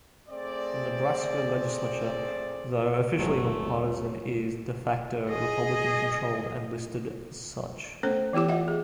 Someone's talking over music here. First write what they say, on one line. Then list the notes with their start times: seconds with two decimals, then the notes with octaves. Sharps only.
The Nebraska legislature, though officially nonpartisan, is "de facto" Republican-controlled, and listed as such.
0.29 A3 C4 G#4 D5
3.18 G1 D#2 C3 F#3 G#3 A3 C#5
5.29 G#4 D#5
8.03 A3 B3 C#4 A4 C5
8.33 E3 B3 E4 G4 D6
8.48 F4 D#5 E5 F#5
8.68 G#4